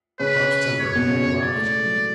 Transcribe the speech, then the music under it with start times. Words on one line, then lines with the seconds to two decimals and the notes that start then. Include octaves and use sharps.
Bob's temper began to rise.
0.19 C#3 C#4 B4
0.80 C#5
0.95 B2 B3
1.10 C#3 C#4
1.25 B2 B3
1.40 D5
1.55 A2 A3
1.71 G#3
1.85 F#3